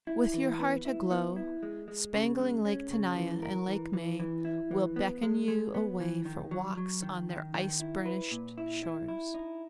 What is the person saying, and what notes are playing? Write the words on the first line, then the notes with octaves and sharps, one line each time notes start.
With your heart aglow, spangling Lake Tenaya and Lake May will beckon you away for walks on their ice-burnished shores.
E4
E3
B3
E4
B3
E4
G#3
G#3
C#3
G#3
C#4
C#3
E3
A#4
E3
E3
E3
E4
E3
B3
G#3
G#3
B3
E3
D#3
F#3
F#3
D#3
D#3
D#3
E4
B4
A#2
E4
E4
E4
D#4